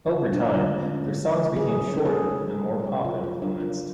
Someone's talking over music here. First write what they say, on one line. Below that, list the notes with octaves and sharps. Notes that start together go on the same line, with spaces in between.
Over time, their songs became shorter and more pop-influenced.
D3 F4
G#3 D4
D3 F4
C#4
D3
G#3
F#3 G#4
C#4
A4
C#4 G#4
F#3
F#3
C#4
C#3 F4
F4
F#3
D4
C#3
F4